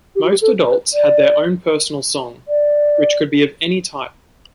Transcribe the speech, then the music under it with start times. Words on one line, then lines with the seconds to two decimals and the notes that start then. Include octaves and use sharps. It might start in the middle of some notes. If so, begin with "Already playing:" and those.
Most adults had their own personal song, which could be of any type.
0.16 G4
0.23 F#4
0.30 G4
0.42 A4
0.68 B4
0.94 D5
2.48 D5